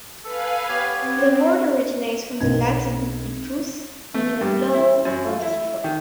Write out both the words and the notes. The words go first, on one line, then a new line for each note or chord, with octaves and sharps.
The word originates from the Latin "ictus", meaning a blow or a stroke.
A4 B4 F5 G#5
B3 G4 C#5
C4
B1 C4 G#6
A3
G2
E4
F#2
F4
E4
D#3